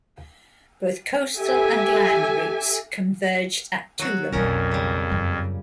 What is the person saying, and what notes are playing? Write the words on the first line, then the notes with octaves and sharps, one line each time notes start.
Both coastal and land routes converged at Tulum.
G4 A4 E5 G#5
F#3 F#4
B1 F2 A#2 C#4 E4 A#4
C#3 G3
F#2